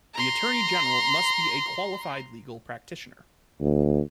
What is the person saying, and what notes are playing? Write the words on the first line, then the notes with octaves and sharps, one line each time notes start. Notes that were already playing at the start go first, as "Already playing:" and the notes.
The Attorney-General must be a qualified legal practitioner.
A#5 C6
D2